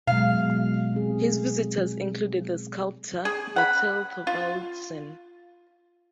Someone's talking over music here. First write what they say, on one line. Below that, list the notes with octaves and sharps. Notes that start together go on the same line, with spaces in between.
His visitors included the sculptor Bertel Thorvaldsen.
B2 F#3 G#3 F5
C4 G#4
G#4
F#5 B5
F4